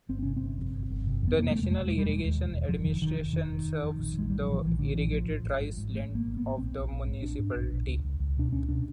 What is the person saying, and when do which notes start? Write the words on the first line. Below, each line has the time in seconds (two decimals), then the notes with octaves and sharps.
The National Irrigation Administration serves the irrigated rice land of the municipality.
0.09 G1 C4
0.23 C3 C#4
0.37 G1 C4
0.58 F2
0.74 G1
0.90 G1
1.07 C3
1.22 F2
1.28 B3
1.39 E1 A#3
1.51 G#3
1.55 E1 A3
1.63 G#3
1.71 E1 A3
1.87 E1 G#3
1.98 G3
2.04 E1
2.09 G#3
2.20 D#2
2.36 E1
2.52 E1
2.69 F1 F3
2.84 F1 D#3
3.01 F1 D#3
3.17 F1
3.33 F1 D#3
3.50 F1
3.66 F1
3.82 F2
3.98 A#1
4.14 A#1 G#3
4.30 A2 G3
4.40 F#3
4.47 A#1 F3
4.64 A#1 E3
4.79 A2 D3
4.95 A#1 E3
5.12 A2 F3
5.28 G#1
5.44 G#1
5.61 G#2
5.77 G#2
5.94 G#1 A3
6.09 G#1
6.15 A#3
6.26 G#1
6.37 G#1 B3
6.57 A#1 C4
6.74 A#1
6.91 A#1
7.06 G#2
7.22 A#1 D4
7.39 G#2
7.55 A#1
7.72 A#1
7.87 C#2
8.04 C#2
8.20 C#2
8.37 B2 D4
8.52 C#2 C#4
8.69 B2 D4